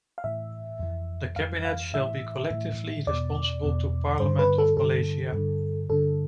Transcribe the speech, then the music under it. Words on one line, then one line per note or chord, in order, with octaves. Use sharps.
The Cabinet shall be collectively responsible to Parliament of Malaysia.
F5
A2 E3 E5
F2 E3
F2 E3 F5
F5
A2 E3 E5
A2 E3
E2 B2 D5
E2 B2
G2 D3 C5
B4
A4
G2 D3 A4
G2 D3
G2 D3 A4